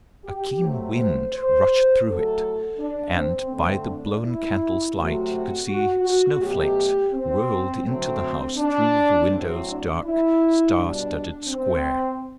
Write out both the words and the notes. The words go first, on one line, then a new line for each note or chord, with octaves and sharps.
A keen wind rushed through it, and by the blown candle's light he could see snowflakes whirled into the house through the window's dark, star-studded square.
G4
C3 F#3 A3
C5
C5
A2 F#3 A3 A4
D4
C4
D3 A3 C4
D4
E4
C3 F#3 A3 F#4
F#4
F#4
B2 F#3 A3 G4
C4
D3 F#3 A3 C4
D4
A2 F#3 A3 C4
D4
E4
B2 G3 D4
C4